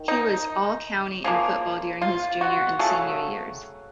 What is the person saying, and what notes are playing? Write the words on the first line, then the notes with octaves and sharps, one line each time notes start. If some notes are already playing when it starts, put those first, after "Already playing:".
He was All-County in football during his junior and senior years.
Already playing: D#3
D#4
C#3 F3 A#3
F4
F#4
C#3 F#3 A3